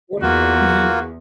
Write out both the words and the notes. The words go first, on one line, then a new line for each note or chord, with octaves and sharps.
workout? Mhm.
E2 A#3 F4 F#4